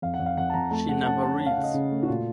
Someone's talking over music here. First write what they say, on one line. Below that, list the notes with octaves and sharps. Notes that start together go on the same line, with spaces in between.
She never reads.
F2 F5
F#5
F2
F5
F2 F#5
A5
F2 A#5
A3 A5
A3 F#5
F#5
C#4 A5
A3 A5
C#4 A5
F5
F#5
C#3
D#5
C#3
A3
F#4
A#2 F4